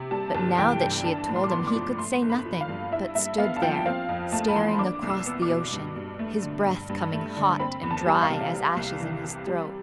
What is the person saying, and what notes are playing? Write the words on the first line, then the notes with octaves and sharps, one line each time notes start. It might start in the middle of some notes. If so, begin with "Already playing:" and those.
But now that she had told him, he could say nothing, but stood there staring across the ocean, his breath coming hot and dry as ashes in his throat.
Already playing: C3
G3 A5
G1 A5
E3 G5
G2 G5
D4 A5
A2
C6
D6
B3 C6
D6
F3
A3 C6
G1
B5
F3
F5
G2
E4 E5
G2 E5
B3 F5
A5
F3 G5
C4 F5
F2
A3 A5
B5
E3 C6
D4 D6
C2
E6
B3
D6
B2
G2
G2
A3
D3
G2
G2
A3
D3
C4 B5
E2
A5
G3
F5
C3
G3
C2
E3
C3
G3